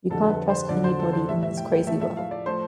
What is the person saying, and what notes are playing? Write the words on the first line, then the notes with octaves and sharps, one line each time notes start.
You can't trust anybody in this crazy world.
F2 D3 G3 A4
B4
C5
F2 D3 F3 D5
C5
A4
C5
A2 G3 E5
E5
G5
G5
A2 F3 A3 E5
E5
F5
D5
F3 A3 C5